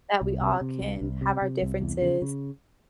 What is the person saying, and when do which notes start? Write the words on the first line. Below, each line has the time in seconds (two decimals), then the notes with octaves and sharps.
That we all can have our differences,
0.21 C2
0.41 C3
0.61 C3
0.81 C2
1.02 C2
1.21 C3
1.42 C3
1.62 C2
1.81 E2
2.02 C#3
2.22 C#3